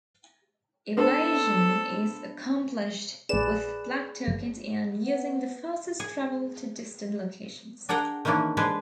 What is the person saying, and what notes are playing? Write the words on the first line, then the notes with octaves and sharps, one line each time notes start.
Evasion is accomplished with black tokens and using the fastest travel to distant locations.
B3 D4 A4 C5
A#1 G#4 B4 D5 E7
G1
B3
G#4
D4 G#4 A#4 F#5 G5
D#3 E3 A#3 C#4 D4
G3 G#3 D4 G#4 B4 C5